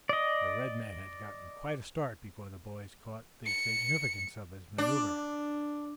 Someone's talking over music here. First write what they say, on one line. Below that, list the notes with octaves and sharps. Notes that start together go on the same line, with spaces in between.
The red man had gotten quite a start before the boys caught the significance of his manoeuvre.
D5 D#5
C#7
D4